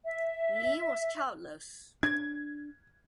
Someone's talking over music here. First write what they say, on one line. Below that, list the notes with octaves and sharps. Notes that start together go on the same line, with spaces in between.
Li was childless.
E5
D4 G#6